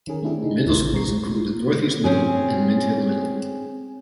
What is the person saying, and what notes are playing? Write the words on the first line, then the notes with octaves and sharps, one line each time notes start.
Middle schools include Northeast Middle, and Mint Hill Middle.
D#3 C#4 G#4 A#4
A3 C4 D4 E4 G4 G#4
C#3 D4 D#4
A1 D#2 A#4 C6
A#1
B1 A#2 C4 A#5 C#6 C7
C4 C#4 G#4